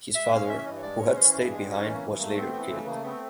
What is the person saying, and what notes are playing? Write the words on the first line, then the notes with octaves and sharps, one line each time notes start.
His father who had stayed behind was later killed.
G#3 E5
C#4 F5
E3 E5
E5
G2 D#5
C#5
G#3 D5
C#4 C#5
E3 C5
G2
G#4
G#3
G4
C#4 F#4
E3 D#4
A#3
G2
A3 A#3
B3 C4
E3 B3
C#3 A3
A3 A#3
B3 C4